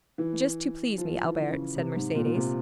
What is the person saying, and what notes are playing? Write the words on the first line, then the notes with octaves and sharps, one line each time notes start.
"Just to please me, Albert," said Mercedes.
E3
F3
E3
E3
C#3
C3
G#2
A#2
A#2
C3